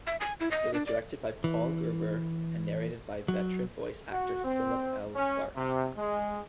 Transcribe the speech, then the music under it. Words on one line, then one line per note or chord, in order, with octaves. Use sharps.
It was directed by Paul Gerber and narrated by veteran voice-actor Philip L. Clarke.
E5
G#5
E4
D#5
D4
D5
E3
F#3
F#4
C4
C#4
C3
G#3